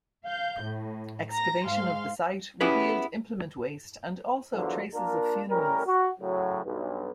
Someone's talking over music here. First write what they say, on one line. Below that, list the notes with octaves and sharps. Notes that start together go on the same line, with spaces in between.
Excavation of the site revealed implement waste and also traces of funerals.
F5 G6
A2
A#5 A#6
G#2 F5 C6
B3 C#4 E4 G4 G#4 B4
E2 G2 D3 F3 F#3
A#3 D4 F4 A#4
A2 G3 C#4 A#4
F#4
A2 C#3 F#3
B1 G2